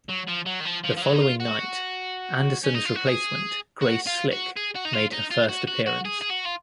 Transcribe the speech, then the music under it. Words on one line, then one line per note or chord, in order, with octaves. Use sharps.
The following night, Anderson's replacement Grace Slick made her first appearance.
F#3
F3
F#3
D#3
F3
F3
F3
F#3
D#4
F4
F#4
C#4
D#4
F4
F#4
G#4
F#4
F4
F#4
G#4
F#4
D#4
F4
D#4
F4
F#4
F#4
F#4
G#4
G#4
F#4
F4